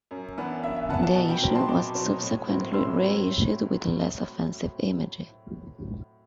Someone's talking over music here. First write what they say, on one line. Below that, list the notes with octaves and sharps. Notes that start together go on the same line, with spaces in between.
The issue was subsequently re-issued with a less offensive image.
F#2
E3 B3 D4
F#2 E5
E5
E3 B3 D4 F#5 A5
F#5 A5
B2 F#5 A5
G5 B5
F#3 C4 G5 B5
A5 C6
B2 B5 D6
F#3 C4
A2
F#3 C4 E4
A2 C6 E6
F#3 C4 E4